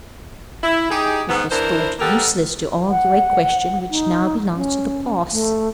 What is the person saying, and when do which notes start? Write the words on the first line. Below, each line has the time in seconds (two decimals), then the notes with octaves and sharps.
It was thought useless to argue a question which now belongs to the past.
0.63 E4
0.90 D#4 G4 G#4
1.29 G#2 D#3 B3
1.51 E3 D4 E4 A#4 C5
1.99 G3 A#3 B3 G4 A4 A#4
2.90 F#5
3.90 D#4
4.55 C#4
5.32 A3